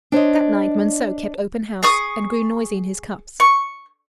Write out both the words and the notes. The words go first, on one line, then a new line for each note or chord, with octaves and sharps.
That night Monceux kept open house and grew noisy in his cups.
D4 C5 C#5 D#5
G#4 C#6 D#6
C#6